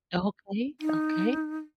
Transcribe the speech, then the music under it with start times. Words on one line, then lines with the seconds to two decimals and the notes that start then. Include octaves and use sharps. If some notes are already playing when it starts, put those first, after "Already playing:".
Okay, okay.
0.81 D#4